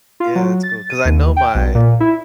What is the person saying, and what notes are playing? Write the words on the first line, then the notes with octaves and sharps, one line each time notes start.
Yeah. That's cool, 'cause I know my
F4
F#3
A6
D#7
D#2
G5
B1
A#2
E4